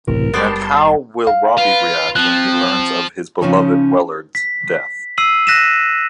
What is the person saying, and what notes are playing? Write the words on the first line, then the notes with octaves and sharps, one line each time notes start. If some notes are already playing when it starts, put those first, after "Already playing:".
And how will Robbie react when he learns of his beloved Wellard's death?
G1 C#2 A2 C3 E3 A#4
F#1 G3 B3 G4 D5 A5 C6
F5
F4 B4
F3 C4 F#6
C#3 E3 F3 C#4 D#4 C#5
B6
E6 C7 D#7 F#7
F#6 A#6 B6 D#7 E7